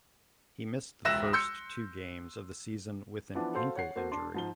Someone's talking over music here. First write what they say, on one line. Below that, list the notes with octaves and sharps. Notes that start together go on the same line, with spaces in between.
He missed the first two games of the season with an ankle injury.
E1 C#2 E5 F#6 A#6 E7
C6 E6 G6 C#7
E3 F3 B3 D4
F#4 A4 C5 F5 C6
C#5 F#5 C7
A#3 F#4 A4 C5
D4 A5 C6
G#2 F3 G7